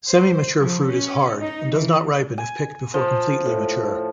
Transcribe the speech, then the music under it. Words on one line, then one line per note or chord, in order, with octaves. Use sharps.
Semi-mature fruit is hard and does not ripen if picked before completely mature.
C5
F3
C#4
D#4
E3
G#5
F3
A2